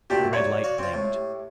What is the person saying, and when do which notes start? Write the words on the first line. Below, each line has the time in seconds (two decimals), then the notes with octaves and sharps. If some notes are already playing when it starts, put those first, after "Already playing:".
The red light blinked.
0.10 A#2 A3 D4 F#4 G4
0.33 F#3 C#5 D5
0.64 F#4 F5
0.78 C4 F4
0.93 A2 G#3
1.13 G4